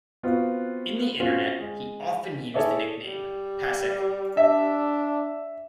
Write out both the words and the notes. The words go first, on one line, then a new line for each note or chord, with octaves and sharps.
In the Internet he often used the nickname Pacek.
B3 C4 F4 F#4
C4 C#4 F4 F#4
G#3
E4 G#4 A4 C#5 D5 E5
G3
D4 E5